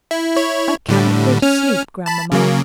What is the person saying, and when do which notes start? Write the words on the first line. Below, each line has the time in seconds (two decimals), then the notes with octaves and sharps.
"I can't go to sleep, grandmamma."
0.11 E4
0.36 E4 C#5
0.89 A2 D3 G3
1.42 C#4 F6
2.06 A5 B5
2.32 C#3 F#3 A#3